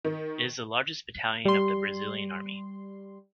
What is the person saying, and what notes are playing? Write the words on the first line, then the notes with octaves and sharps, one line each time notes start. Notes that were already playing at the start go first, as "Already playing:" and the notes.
It is the largest Battalion of the Brazilian Army.
D#3
G3 C6